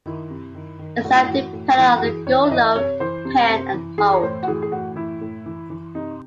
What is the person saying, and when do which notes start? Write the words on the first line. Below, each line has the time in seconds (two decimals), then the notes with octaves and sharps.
Its life depended on "Go Low, Pin and Hold".
0.06 D#3 E4
0.30 C3
0.55 D#3
0.79 D#3
1.04 A2 F#4
1.15 E4
1.26 E3 F#4
1.53 A2
1.78 E3
1.98 F#4
2.02 E3 G#4
2.27 E3 C#5
2.44 E5
2.51 E3 D#5
2.76 C3 C#5
3.00 E3 C5
3.25 C3
3.50 C3
3.73 E3
3.98 E3 G#4
4.13 C#5
4.23 A2 C5
4.43 F#4
4.48 E3 G#4
4.62 G#4
4.72 A2 F#4
4.96 E3 E4
5.21 A2
5.46 E3
5.70 E3
5.95 C3 D#4